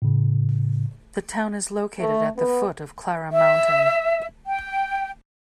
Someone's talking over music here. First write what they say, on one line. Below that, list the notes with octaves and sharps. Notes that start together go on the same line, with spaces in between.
The town is located at the foot of Clara Mountain.
A2 C#3
A3
B3
E5
G5